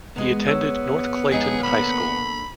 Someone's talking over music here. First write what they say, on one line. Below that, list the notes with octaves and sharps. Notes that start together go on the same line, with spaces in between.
He attended North Clayton High School.
E2 G#3 B3
C#5 E6
F2 G#3 D#4 G#4
D3 A#3 B5